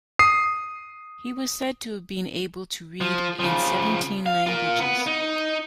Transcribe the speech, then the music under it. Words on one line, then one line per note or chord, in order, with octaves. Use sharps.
He was said to have been able to read in seventeen languages.
D#6 C7
F3
C#3 F3
F5
F4 A#4
B3 B4
D#4